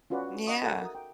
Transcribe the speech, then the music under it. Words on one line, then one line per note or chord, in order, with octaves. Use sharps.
Mm, yeah.
C#4 F4 F#4 B4 D5
D#5 F#5 C#6 D#6
F#4 A4 A#4 E5 F#5
A#4 F#5 D#6
G5